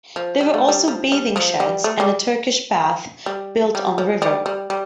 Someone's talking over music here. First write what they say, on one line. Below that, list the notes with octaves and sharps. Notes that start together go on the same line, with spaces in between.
There were also bathing sheds and a Turkish Bath built on the river.
F3
G3
A3
G3
F3
G3
F3
G3
A3
G3
G3
G3
F3
G3
G3
G3